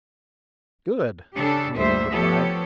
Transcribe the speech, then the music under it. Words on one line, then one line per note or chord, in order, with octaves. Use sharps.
"Good!" the Canadian replied.
C#3 D4 G4 A4
D2 A#2 G3 C5 E5
F3 B3 G4 A4 C#5